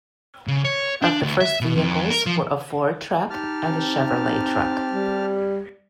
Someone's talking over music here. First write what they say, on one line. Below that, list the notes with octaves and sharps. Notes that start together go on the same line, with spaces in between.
Of the first vehicles were a Ford Truck and a Chevrolet Truck.
C#3
C#5
D4
D2
E5
B2
F2
A#4
F3
D#4 G4 A5 F6
C4
G3